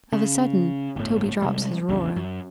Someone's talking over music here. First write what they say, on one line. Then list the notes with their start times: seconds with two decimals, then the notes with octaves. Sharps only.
Of a sudden Toby drops his Aurora.
0.12 C#3
0.96 G1 A2
1.42 C3 G3 G#3
1.89 A#1 E2 C#3
2.16 F#2